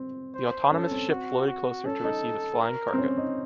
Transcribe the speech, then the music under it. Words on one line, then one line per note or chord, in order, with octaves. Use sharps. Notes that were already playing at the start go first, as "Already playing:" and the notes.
The autonomous ship floated closer to receive his flying cargo.
Already playing: C4
C5
C#4 A4
C4
F#4
F#4
C#4 A4
D#4
A#4
C4
C#4
D#4